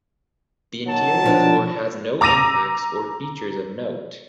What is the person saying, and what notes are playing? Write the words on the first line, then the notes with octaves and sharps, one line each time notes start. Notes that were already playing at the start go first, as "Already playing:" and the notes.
The interior floor has no impacts or features of note.
D#3 F#3 A5
B2 F3 D4
A#5 D6 E6 A#6 D#7 F7